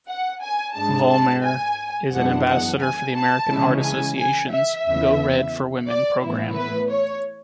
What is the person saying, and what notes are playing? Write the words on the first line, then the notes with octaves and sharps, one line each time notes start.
Vollmer is an ambassador for the American Heart Association's "Go Red for Women" program.
F#5
G#5
G#2 G#3 D4 A5
A5
G#5
F#2 E3 G#3 B3 D4 F#5
F#5
G#5
A5
C#3 E3 G#3 C#4 E4
G#5
G#5
E5
E2 C#3 E3 B3
D5
A2 E3 B3 E4
B4
C#5